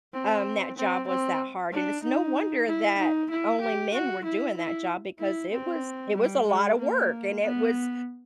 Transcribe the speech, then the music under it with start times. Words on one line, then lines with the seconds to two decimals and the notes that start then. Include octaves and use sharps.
um, that job was that hard, and it's no wonder that only men were doing that job because it was it was a lotta work, and it was
0.13 C4
0.77 C4
1.07 C4
1.72 D4
2.03 D#4
2.66 E4
2.98 D#4
3.30 E4
3.61 G4
3.94 F#4
4.24 E4
4.57 E4
5.19 E4
5.51 C4
6.14 G3
6.46 G#3
6.78 A#3
7.41 B3